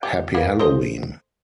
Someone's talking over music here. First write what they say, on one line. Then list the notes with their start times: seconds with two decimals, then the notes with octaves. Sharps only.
Happy Halloween!
0.03 G4
0.34 A#3 B3
0.59 A4 C5 D#5